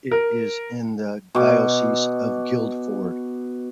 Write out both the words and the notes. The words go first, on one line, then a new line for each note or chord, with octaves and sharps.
It is in the Diocese of Guildford.
A#4
B2 D6